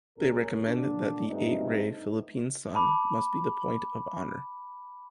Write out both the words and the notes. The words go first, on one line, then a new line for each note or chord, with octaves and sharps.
They recommended that the eight-ray Philippine sun must be the point of honor.
C#2 A#2 C#4 G#4 A#4
A#2 D3 D4
G2 A3 C4 D#4
A5 B5 D6